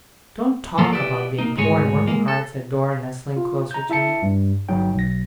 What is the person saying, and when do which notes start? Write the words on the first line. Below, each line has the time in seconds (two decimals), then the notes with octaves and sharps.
'Don't talk about being poor, and working hard!' said Dora, nestling closer to me.
0.78 F3 A#3 B3 F4 A4 A#4
0.93 E4 G4 B4 D5
1.38 A#3 D#4
1.57 D2 G#2 G#3 F#4 C#5 G#5
2.07 G#3 A#3
2.28 A4
3.36 F4
3.71 A#5 G6
3.90 E4 E5 A5 C#7
4.22 G2
4.69 G1 F#3 D#4 G5
4.95 B1 A#6